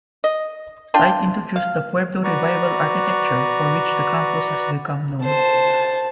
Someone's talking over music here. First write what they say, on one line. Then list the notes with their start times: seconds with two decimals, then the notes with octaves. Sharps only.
Tight introduced the Pueblo Revival architecture for which the campus has become known.
0.24 D#5
0.94 D4 F4 G5
1.56 F5
2.24 F#4 B4 D5 A#5 C#6
5.24 C5 A5